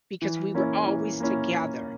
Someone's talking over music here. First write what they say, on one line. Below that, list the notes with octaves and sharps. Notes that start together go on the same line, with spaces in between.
because we were always together.
E3
A#3 C#4 E4
E3
A#3 C#4 E4